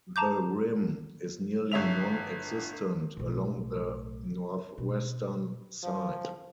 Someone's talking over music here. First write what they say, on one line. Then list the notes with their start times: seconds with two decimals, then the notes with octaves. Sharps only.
The rim is nearly non-existent along the northwestern side.
0.16 A5 A#5 D6 G6
1.72 G1 C#5 E5 F7
3.17 B1 A2
4.78 B2
5.83 F3